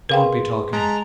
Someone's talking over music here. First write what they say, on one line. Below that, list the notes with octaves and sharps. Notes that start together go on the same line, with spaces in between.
Don't be talking!
G#4 A#4 B4 F5 G5 C6
G#3 A5 A#5 A6 B6